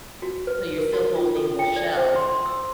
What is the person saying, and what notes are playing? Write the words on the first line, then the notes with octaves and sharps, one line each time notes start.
So, you're still holding the shell,
F#4
B4
A#4
F#4
F4
A4
G5
D5
C5
C6
C6
E6